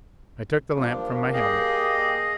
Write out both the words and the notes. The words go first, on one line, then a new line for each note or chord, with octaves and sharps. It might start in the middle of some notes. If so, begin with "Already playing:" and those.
I took the lamp from my helmet.
F3 G3 A#3 D4
G4 G#4 D#5 F5